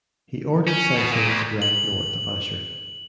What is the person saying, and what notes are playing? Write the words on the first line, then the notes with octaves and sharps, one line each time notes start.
He ordered Sanchez to drive north of Asher.
C#4
B2
A#2
D2
F#7